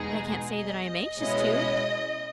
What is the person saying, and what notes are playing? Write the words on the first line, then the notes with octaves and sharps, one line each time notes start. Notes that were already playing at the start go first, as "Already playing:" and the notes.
But I can't say that I am anxious to.
Already playing: E2 B2 G#3 D#4 G#4
D#5
B2 G#3 C#4 E4 D#5